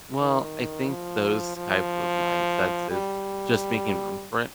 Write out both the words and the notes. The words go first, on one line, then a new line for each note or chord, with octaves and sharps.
Well, I think those type of mindsets is just making room for it
D#3
F3
F3
G3